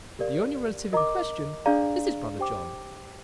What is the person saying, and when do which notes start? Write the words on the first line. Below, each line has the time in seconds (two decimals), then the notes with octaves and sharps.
But the only relative in question is his brother John.
0.19 G4 A#4 D5 F5
0.93 A#4 D#5 A#5 D6
1.66 D4 G#4 D5 F5 A#5
2.39 G4 C5 G5 D6